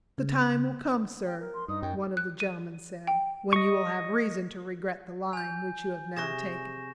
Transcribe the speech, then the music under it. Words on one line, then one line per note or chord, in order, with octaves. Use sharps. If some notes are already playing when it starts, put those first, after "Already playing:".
"The time will come, sir," one of the gentlemen said, "when you will have reason to regret the line which you have now taken."
C#3
G5
A#4
C6
G2 D#4 D#6
F#2 G5
F#6
D#7
G5
D#5 C#6
G#5 G6
C3 G#4 C#6 A#6 E7